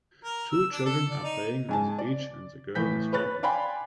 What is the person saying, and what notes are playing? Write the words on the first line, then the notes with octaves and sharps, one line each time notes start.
Two children are playing on the beach and the girl is jumping.
A#4
E6
D4
A4
D5
D#4
G#2 G#5 A5
D5
A2 E3 G6 B6
B4 C#5 B5 F#6 A6
D5 F5 G5 G#5 B5 C6